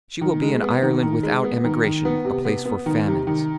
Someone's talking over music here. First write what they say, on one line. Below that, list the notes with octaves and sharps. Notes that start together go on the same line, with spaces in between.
She will be an Ireland without emigration, a place for famines.
D#3
G#3
B3
D#3
D#3
G#3
B3
D#3
D#3
B3
C3
B3
B3
D#3
C3
D#3